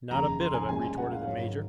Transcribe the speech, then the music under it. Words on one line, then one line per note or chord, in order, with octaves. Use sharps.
"Not a bit of it," retorted the major.
F1 D#2 C#3 A#5
C6
G#5
C2 A#2 G#3 C#4 G#5
G#5
F#5
F5
G#2 D#3 F#3 C#5